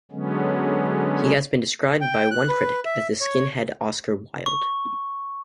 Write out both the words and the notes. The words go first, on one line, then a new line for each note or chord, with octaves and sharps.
He has been described by one critic as "the skinhead Oscar Wilde".
D3 F#3 G#3 B3 C#4
G5
F#6
B4
E5
C#5
C#6